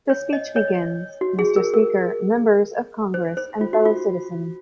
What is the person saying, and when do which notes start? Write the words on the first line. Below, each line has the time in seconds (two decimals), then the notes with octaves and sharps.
The speech begins: Mr. Speaker, members of Congress and fellow citizens.
0.10 C#5
0.33 D#5
0.56 C#5
1.21 F#4
1.39 G#4
1.56 A#4
1.74 A#4
3.14 C5
3.37 C5
3.61 F4
3.73 F#4
3.85 F4